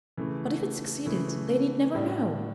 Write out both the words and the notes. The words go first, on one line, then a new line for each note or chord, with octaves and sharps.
'But if it succeeded, they need never know.
C#3 E3 A3
C#3 E3 A3
A2 G3 D4